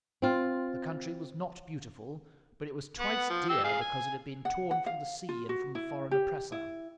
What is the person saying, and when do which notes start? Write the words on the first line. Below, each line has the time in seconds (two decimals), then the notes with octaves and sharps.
The country was not beautiful, but it was twice dear because it had been torn from the sea and from the foreign oppressor.
0.22 C4 F4
3.00 B3 F#5
3.30 F3
3.50 G4 E6
3.64 G#4 F5
3.81 G#5
4.45 F#5
4.71 F#5
4.86 F5
5.29 F4
5.49 F#4
5.75 E4
6.11 G4
6.52 E4